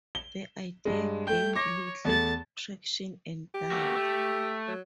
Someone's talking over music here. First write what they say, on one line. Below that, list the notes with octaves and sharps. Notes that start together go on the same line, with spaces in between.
The idea gained little traction and died.
G7
G2 G#3
A3 G5 G6
C#5 D6 A#6
E2 A3 A5 A6
G4
A3 A#3 F#4
A3
F#3